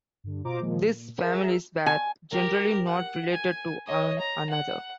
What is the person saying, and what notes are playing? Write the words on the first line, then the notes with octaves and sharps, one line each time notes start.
These families were generally not related to one another.
G2 D3
B2 F4 C5 D#5 A#5 D6
A#2 D#3 F3 G#3 A#3
A#2
G#4 A#4 E5 A#5
G#5
G4 A#4
F#5
G#5
C#5 D#5
A#5
F#5